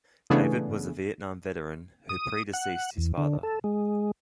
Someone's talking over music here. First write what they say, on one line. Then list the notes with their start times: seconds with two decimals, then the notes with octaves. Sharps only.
David was a Vietnam veteran who predeceased his father.
0.30 C#3 E3 A3 B3 D4 G#4
2.09 D#6
2.53 F#5
2.97 E2
3.17 D3
3.43 A4
3.64 G#3